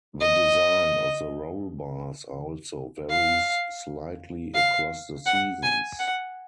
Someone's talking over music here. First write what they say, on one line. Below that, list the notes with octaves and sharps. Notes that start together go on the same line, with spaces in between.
The design of the roll-bars also varies slightly across the seasons.
D#5
F5
F5
F#5
G#5
F#5